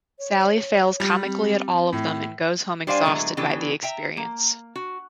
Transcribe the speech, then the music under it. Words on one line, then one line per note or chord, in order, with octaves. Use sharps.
Sally fails comically at all of them and goes home exhausted by the experience.
C#5
G3
C4
A2
G3 D4 C5 D5 F5 G#5
A2 D3 F#3 G#3 B3
C#3 E3 B3 D4 G4 A4
E5 G5 A#5
A#3
F#4